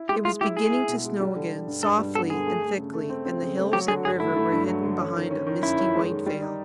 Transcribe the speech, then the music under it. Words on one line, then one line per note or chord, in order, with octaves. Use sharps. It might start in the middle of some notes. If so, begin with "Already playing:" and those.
It was beginning to snow again, softly and thickly, and the hills and river were hidden behind a misty white veil.
Already playing: E4
G#3 G4
G#3 F4
E4 G4
E4 G#4
E4
B2
G#3
G3
D3
D3
G2
G2 A4
G3
B3 A4
D3 G#4
A3
A3
C#3
A3
C4
C4
C#3
A3
F#3 G4
D3 G#4
G2 G#4
A3 E4
A3
G2
F#3
D3
C#4
D#3
C#4
D#3
F#2 E4
C#4
G#3
D#3
G3
D#4